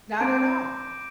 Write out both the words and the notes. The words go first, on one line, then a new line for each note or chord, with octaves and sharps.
Not at all.
C4 D6 G6 A#6 D7